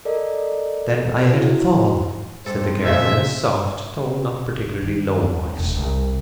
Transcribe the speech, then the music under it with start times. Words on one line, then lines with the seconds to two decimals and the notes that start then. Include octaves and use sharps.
"Then I heard it fall," said the girl, in a soft, though not particularly low voice.
0.05 A4 A#4 D5 D#5
1.32 E4 F#4
2.46 G2 A4 C5
2.84 A#2 C#3 A3 D#4 E5
4.65 F#3
4.82 D#3
5.21 F#2
5.43 C#2
5.57 E1
5.75 C2